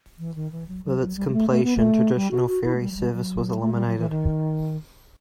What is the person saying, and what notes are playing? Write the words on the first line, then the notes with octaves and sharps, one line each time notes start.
With its completion, traditional ferry service was eliminated.
E3
D#3
E3
F#3
F#3
F#3
G3
G3
A3
A3
B3
A3
G3
F#4
F#4
E4
A3
G3
F#3
G3
F#3
A3
G3
F#3
E3
D#3